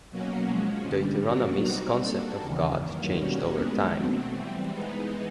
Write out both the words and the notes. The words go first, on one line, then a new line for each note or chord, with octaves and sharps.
Deuteronomy's concept of God changed over time.
B2 F#3 A#3 C#4 F#4
F3 G#3 C#4
G2 D3 G3
B2 F#3 A#3 D4 F#4
G3 C4 D#4 F#4
G3 A#3 D4 F#4 A4
D#2 C#3 E3
G2 D#3 F#3 A#3
B2 G3 A#3 C#4 F#4
D#3 G#3 B3 D4
B2 F#3 A3 C4
E3 G3 C4
E3 G#3 B3 D#4